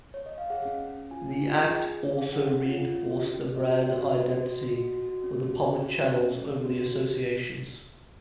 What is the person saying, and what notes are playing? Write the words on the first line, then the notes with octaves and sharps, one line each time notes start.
The Act also reinforced the brand identity of the public channels over the associations.
C#5
D#5
F5
G#4 F#5
C#4
C#4
C#4
F4 G#5
C#4
F4
G#4
G#4
G#4
C#4
G#4
C#4 F#5
C#4
F4
F4
C#4
F#4
C#4
C#4
F#4 D#5
F#4 D#5
F#4 C#5
C#4 D#5
F#4 D#5
F#4
F#4
F#4
F#4
F#4
F#4
C#4
F#4
C#4
C#4
F#4
C#4 C#5
C#4
C#4
C#4
F#4
F#4